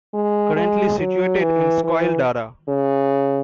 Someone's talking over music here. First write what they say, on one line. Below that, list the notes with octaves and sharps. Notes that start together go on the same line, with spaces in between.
Currently situated in Scoil Dara.
G#3
G#3
F#3
E3
E3
C#3